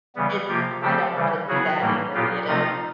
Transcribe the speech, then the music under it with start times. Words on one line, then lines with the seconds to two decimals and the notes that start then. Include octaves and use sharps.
it I don't wanna do that either, you know?
0.15 C#3 E3 G3 B3
0.48 C3 F3 A#3 F4 G4
0.81 C#3 F3 A3 C4 G4 A4
1.15 C#3 E3 G3
1.48 C#3 F#3 B3 F#4 G#4
1.81 A2 E3 G3 A#3
2.14 A#2 F#3 B3 F4 G4
2.47 C3 F3 A3 C4 D#4 F4